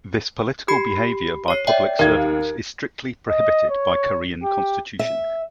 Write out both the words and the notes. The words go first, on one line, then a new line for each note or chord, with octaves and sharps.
This political behavior by public servants is strictly prohibited by Korean Constitution.
G4 B5 C7
C#5 C7
D5 E5 G5
D#2 A#4 F5 G#6
D#5
C#5
G4
E5